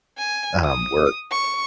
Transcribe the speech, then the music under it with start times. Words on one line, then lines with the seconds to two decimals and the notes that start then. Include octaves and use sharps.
um, work.
0.19 G#5
0.66 D#6
1.31 C#6